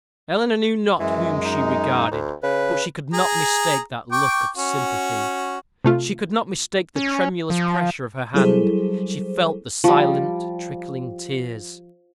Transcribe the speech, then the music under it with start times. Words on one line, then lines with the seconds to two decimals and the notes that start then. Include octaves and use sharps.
Eleanor knew not whom she regarded, but she could not mistake that look of sympathy; she could not mistake the tremulous pressure of her hand; she felt the silent trickling tears.
0.99 F#2 E3 G#3
1.45 D#4
2.11 D2
2.43 C#3 B4
3.13 G#4 A#5
4.12 G5 C#6 D6
4.57 C#4 F#4
5.84 C3 A3 F4
6.96 C#4
7.50 F3
8.34 F#3 G3 E4 G#4 A4 C5
9.84 F3 G3